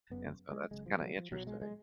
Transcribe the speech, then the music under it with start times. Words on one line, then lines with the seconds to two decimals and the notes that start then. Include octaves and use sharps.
And so that's kinda interesting.
0.10 F#1 F#2 C#3 B3
0.51 G#3
0.71 F#1 F#2 C#3 G#3
0.86 F3
1.01 F#3
1.17 F3
1.31 B1 B2 F#3
1.47 G#3
1.61 G#3